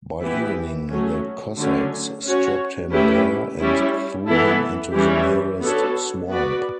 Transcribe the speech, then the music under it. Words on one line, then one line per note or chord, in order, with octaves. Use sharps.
By evening, the Cossacks stripped him bare, and threw him into the nearest swamp.
E3 B3 E4 G4 B4
F#3 A3 C#4
D3 F#3 A3 C#4
C#4 F#4 C#5
A3 C#4 E4 G4 B4
G3 C#4 E4
E3 B3 E4 A4
E3 G3 C#4 E4 G4
B3 D4 F#4 A4 C#5
B3 F#4 B4 D5